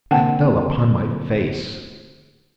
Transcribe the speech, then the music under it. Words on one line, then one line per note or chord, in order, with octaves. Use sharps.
I fell upon my face.
D3 A#3 C4 F#5 G5 A5